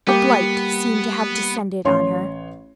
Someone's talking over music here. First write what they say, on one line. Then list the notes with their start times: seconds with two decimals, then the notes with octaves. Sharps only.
A blight seemed to have descended on her.
0.07 G3 A#3 B3 G4
1.85 A1 C#5 C6